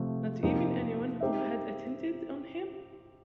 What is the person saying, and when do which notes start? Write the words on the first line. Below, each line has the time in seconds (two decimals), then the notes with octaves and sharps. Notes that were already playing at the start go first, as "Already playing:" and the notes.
Not even any one who had attended on him?
Already playing: C3 F3 A3
0.43 C3 F3 A#3 D#4 G4
1.21 C4 D#4 G4 C5 E5